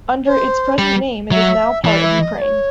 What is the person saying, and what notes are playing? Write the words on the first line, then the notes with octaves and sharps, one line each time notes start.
Under its present name it is now part of Ukraine.
C#5
C5
G3
F#3 E5
E3 D5
E5
D#5
D5
C#5